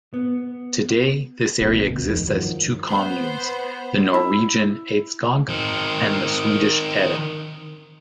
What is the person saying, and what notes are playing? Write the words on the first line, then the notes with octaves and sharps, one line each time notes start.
Today, this area exists as two communes: the Norwegian Eidskog and the Swedish Eda.
B3
B1 B2 D#3 E3
D2 B2
F2 G#2 D#3
G2 D#3 F3 F#3
B3 C5
E4
D#3 C4